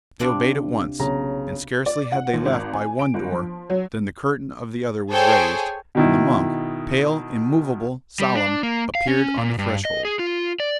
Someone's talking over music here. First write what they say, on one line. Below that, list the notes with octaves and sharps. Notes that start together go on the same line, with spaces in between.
They obeyed at once, and scarcely had they left by one door than the curtain of the other was raised, and the monk, pale, immovable, solemn, appeared on the threshold.
C3 D4 F4
B1 C#3 A#5
D5
F#5
D#2
G#1
G#5
D7
G1
F3
F#3
G#4 A4 C5 C#5 G5 G#5
B2 D#3 E4
G3
D4
A#3
F5
C#4
A#2
G2
D#5
G#4
F4
D5